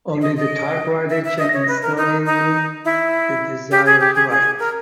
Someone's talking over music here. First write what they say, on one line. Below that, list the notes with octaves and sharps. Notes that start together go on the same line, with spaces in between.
Only the typewriter can instil in me the desire to write.
D#5
D#5
E5
E5
D#5
C#5
B4
A#4
D#4
D#4
E4
G4
G#4
G4
G#4
G#4
A#4